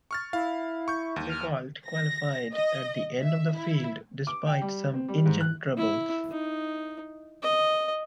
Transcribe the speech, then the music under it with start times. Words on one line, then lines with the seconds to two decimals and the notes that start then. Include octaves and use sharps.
Migault qualified at the end of the field despite some engine troubles.
0.11 C#6 F6 A6
0.33 E4 F5
0.88 C#6 G6
1.16 D#2
1.29 F6
1.87 A#6
2.54 D#5
3.20 E5
3.55 E4
4.27 D6
4.47 G5
4.62 G3
4.94 C4
5.08 G3
5.26 G#2
5.40 F#6
5.78 E4
6.32 D#4
7.43 D#5